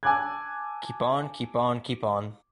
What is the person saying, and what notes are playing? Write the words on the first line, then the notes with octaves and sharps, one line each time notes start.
Keep on, keep on, keep on.
G#5 A5 D6 E6 F#6 G#6